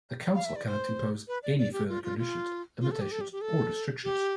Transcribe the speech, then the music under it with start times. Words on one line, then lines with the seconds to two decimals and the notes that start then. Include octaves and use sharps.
The council cannot impose any further conditions, limitations or restrictions.
0.35 F5
0.45 E5
0.56 D5
0.67 C5
1.28 B4
1.43 D5
1.58 D5
1.73 G4
1.89 F4
2.04 F4
2.19 F4
2.81 F4
2.91 A4
3.01 G4
3.12 A4
3.21 G4
3.32 G4
3.41 A4
4.04 G4